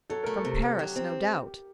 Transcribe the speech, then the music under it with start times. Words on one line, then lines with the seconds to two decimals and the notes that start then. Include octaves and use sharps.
From Paris, no doubt.
0.10 F#3 A4
0.24 A3 A#4
0.37 A4
0.45 C3
0.62 D2
0.79 F#3 G4
0.96 C4